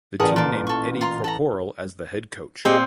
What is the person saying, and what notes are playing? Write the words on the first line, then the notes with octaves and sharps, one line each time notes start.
The team named Eddie Corporal as the head coach.
A1 G3 G#4 A#4 F#5 A5
A#2 A4 D5
A4 C#6
F4 A#5 C6
A4 F#5 A#5
A#2 C4 G4 G#4 D#5